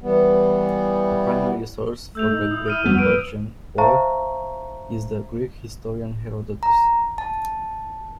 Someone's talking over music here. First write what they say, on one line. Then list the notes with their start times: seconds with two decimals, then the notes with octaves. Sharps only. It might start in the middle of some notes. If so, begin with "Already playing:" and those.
The primary source for the Greco-Persian Wars is the Greek historian Herodotus.
0.02 E3 G3 B3
2.15 A3 E6 G6 F7
2.31 D#4
2.51 E4 D#6
2.66 E4 D#6 F6 D#7
2.85 F2 G3 B3 F#4
2.98 B4 F6 D7 D#7
3.78 C5 E5 F5 A5 A#5 C#6
6.63 A#5
7.18 A5